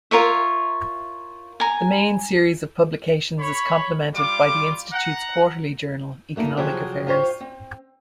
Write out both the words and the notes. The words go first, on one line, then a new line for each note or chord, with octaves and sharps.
The main series of publications is complemented by the Institute's quarterly journal "Economic Affairs".
F4 A#4 C#5 E5
G#5 A#5
C#5 B5
G3 F4 D6
F#5 A#5
F#2 A3 A#3 D#4
C3 F3 F#3 G4 G#4
F4 G4 C5 C#5
C4